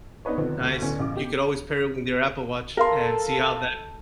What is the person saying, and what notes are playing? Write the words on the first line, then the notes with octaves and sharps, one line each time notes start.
Nice. You could always pair it with your Apple Watch and see how that
B3 D4 D#4 B4 C#5
D3 D#3 F3 B3 C4
D2
A2 D3 B3 C#4
A1 C#3 D6
B2 G4
A4 A#4 F5 C6